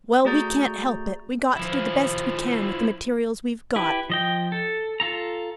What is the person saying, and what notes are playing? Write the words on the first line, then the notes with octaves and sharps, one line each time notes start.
Well, we can't help it; we got to do the best we can with the materials we've got.
A3 F#4 G#4 D5 A#5 G6
F3 E4
E4 G4 B4
F3 D#5 G5
A4
F4 A4 A#5